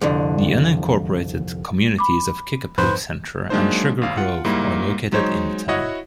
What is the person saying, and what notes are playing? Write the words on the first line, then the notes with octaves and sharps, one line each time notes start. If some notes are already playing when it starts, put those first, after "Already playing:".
The unincorporated communities of Kickapoo Center and Sugar Grove are located in the town.
C2 F2 D3
B5 D6
F2 G#2 F3 B4 C5
F#3 G#3 A#3 D4 D#4 C5
G#1 F5
F4 F#5
G#2 G3 A#3 E4
F#3 G#3 D#4 C5 C#5
E4 F#4 C#5 D#5 F#5